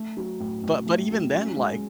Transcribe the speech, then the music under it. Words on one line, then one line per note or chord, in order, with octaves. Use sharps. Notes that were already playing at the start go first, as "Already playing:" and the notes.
but but even then, like
Already playing: A3
F#3
A2
A2
A3
F#3
C#4
G#3